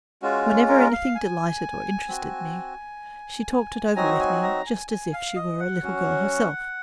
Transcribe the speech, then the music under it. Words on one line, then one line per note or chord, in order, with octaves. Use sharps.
Whenever anything delighted or interested me she talked it over with me just as if she were a little girl herself.
G#3 C#4 F4 F#4
A#4
F5
G#5
C4 F#4
F#3 C4 D#4 F#4 A#5
G#5
A#5
G#5
G#5
F5
D#5
F#5
F#3 C#4 F#4